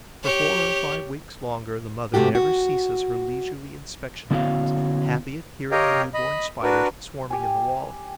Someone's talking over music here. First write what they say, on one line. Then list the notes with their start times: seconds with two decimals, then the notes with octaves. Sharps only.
For four or five weeks longer, the mother never ceases her leisurely inspection-rounds, happy at hearing the new-born Spiders swarming in the wallet.
0.23 G4 C#5
2.14 G#2 C3 E3 A3 F#4 G4
2.35 F#4
4.31 D3 B3 C#4 E4 F#4 F5
5.72 G4 A#4 C#5 D#5 F5 G5
6.14 D#5 B5
6.63 D4 F#4 A#4 B4
7.30 G4 G#5